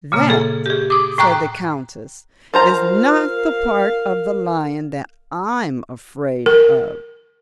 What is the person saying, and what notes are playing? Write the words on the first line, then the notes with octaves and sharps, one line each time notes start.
"That," said the Countess, "is not the part of the lion that I'm afraid of."
A#2 C#3 A#3
G#4 A4
G4 G#4
D6 D#6
A2 G5 A#5 F#6
F4 A#4 C5 F5 A#5
A#4